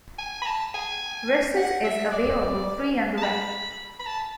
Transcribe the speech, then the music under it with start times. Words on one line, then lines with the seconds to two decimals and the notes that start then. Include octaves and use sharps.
"Risus" is available free on the web.
0.19 G#5
0.42 B5
0.46 A5
0.74 G#5
1.56 F#5
1.84 E5
2.12 D5
3.18 A5
3.22 B5
3.99 B5
4.06 A5